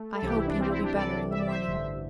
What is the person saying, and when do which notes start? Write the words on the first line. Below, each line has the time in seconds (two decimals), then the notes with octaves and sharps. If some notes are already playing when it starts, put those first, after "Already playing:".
"I hope you will be better in the morning."
Already playing: A3
0.15 A4
0.22 C2 C3 E3 G4
0.36 E4
0.47 D4
0.58 G3 C4
0.70 C4 E4
0.82 D4 G4
0.94 C2 C3 E3 A4 D5
1.30 E5
1.39 D5
1.47 C5 E5
1.67 A1 G2 D3